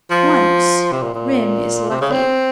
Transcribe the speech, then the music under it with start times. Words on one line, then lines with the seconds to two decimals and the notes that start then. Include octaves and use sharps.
Once Grim is lucky.
0.10 F3
0.92 C3
1.02 A#2
1.14 A#2
1.90 C3
2.01 C#3
2.11 C4